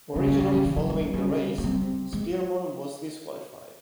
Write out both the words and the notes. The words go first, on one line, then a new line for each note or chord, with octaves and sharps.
Originally following the race, Spearmon was disqualified.
C#3 G3
G#3
G3
F3
E3
F3
G3
G3
C#3 G3
G#3
C3 G3
G#3